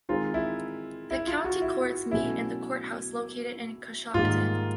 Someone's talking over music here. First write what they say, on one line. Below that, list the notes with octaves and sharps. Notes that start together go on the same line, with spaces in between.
The county courts meet in the courthouse located in Coshocton.
D#3 G#3 C4 D#4 F4
E4
E4
F4
F#4
E4
B2 F#3 A3 C#4 E4
G#2 D#3 G3 A#3 F4